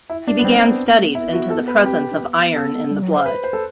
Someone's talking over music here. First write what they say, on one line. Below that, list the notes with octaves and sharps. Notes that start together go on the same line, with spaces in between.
He began studies into the presence of iron in the blood.
E4
D4
B3
G3 C4
A3
B3
B3
A3
B3
E4
F#4
A4
B4
C4 G4
B3
D4
B3
A4
G3
F#3
C5
B4
C5
A4